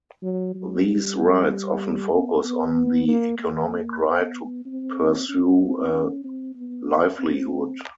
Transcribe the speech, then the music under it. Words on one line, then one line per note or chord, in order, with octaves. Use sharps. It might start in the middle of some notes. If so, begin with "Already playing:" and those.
These rights often focus on the economic right to pursue a livelihood.
F#3
F#3
G3
B3
B3
A#3
A#3
B3
C4
C#4
C4
C#4
C4
B3
C4